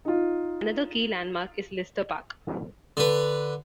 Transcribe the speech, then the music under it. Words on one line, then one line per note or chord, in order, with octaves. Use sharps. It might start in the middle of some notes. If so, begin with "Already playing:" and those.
Another key landmark is Lister Park.
D#4 F4
D3 B4